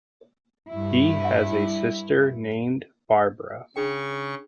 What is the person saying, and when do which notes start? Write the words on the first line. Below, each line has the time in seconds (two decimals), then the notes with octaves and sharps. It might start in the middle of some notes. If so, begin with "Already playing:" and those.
He has a sister named Barbara.
0.70 G2 E4
3.76 C#3 D4 G#4 G5 C#6